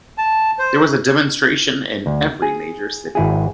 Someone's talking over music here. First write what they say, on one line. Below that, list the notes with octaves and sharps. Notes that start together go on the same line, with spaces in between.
There was a demonstration in every major city.
A5
C5
D2
G#4
G#1 E4 G#4